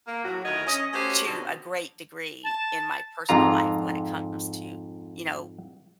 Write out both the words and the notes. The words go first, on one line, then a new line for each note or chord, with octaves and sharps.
t to a great degree in my personal life when it comes to, you know,
A#3
A2 F#3 F#4
D2 D#3 E4 A#4 C#5 D#5
C#4 D#5
A3 C#4 F#4 G4 C5 C#5
B2 D3 C4 D#4 F#4
A5
F2 G#2 F4 A#5